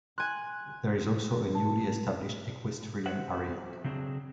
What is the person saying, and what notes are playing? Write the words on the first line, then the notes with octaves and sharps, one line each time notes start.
There is also a newly established equestrian area.
G#5 C6 F#6
A5
F#4 C5 E5 F#5
C#3 F#3 C4 D4 G#4